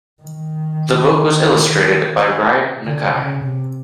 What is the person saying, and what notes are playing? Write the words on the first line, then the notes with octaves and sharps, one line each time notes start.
The book was illustrated by Ryan Nakai.
D#3
D3
C#3
C3